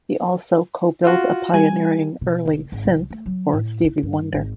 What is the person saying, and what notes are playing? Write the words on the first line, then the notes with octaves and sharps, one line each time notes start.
He also co-built a pioneering early synth for Stevie Wonder.
F4 F#4
G3 G#5
B2
F1
G#1
C2
A3
F#3
A2
E4
G2
G#1